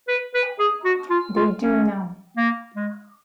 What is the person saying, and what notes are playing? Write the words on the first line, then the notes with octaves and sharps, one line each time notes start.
They do now.
B4
B4
G#4
F#4
F4
F4
C#4
A#3
G#3